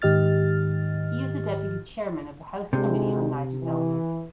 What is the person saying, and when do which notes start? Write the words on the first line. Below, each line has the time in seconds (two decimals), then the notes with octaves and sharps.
He is the Deputy Chairman of the House Committee on Niger Delta.
0.02 G#2 D#3 G4 D#5 F6 A6
2.73 D2 C3 G#3
3.63 E3